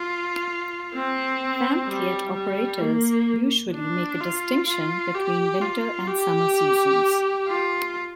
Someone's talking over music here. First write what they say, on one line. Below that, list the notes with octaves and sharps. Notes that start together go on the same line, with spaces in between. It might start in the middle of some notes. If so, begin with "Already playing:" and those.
Phan Thiet operators usually make a distinction between winter and summer seasons.
Already playing: F4
C4
G3
G3
A#3
D4
F4
F4
G4
F4
G4
F4